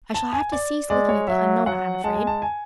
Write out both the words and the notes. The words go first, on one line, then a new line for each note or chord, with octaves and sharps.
I shall have to cease looking at the Unknown, I am afraid.
A5
G#5
D5
G#3 D5
C#5
F#3 E5
F#3 F#5
G#3 A5
G#5
A5
G#5